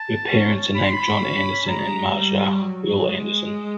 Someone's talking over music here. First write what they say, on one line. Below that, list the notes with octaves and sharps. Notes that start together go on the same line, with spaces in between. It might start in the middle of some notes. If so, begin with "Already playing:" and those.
Her parents are named John Anderson and Maja Will Anderson.
Already playing: A5
C#4
B5
C6
B5
C#4
G#3 A#5
G3
F#3
G#3